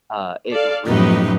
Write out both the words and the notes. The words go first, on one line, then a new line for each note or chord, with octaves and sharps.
Uh, it really
A4 D5 F5
F#2 A2 F3 D#4 G4 B4